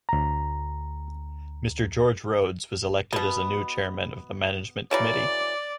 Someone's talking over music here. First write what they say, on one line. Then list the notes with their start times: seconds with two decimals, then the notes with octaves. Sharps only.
Mister George Rhodes was elected as the new chairman of the Management Committee.
0.09 D2 A#5
3.13 B2 B3
4.91 C#3 E3 F#3 D5